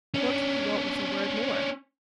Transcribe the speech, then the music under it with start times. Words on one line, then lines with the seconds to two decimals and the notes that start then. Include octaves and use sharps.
What could he want with a word more?
0.14 C#4 D4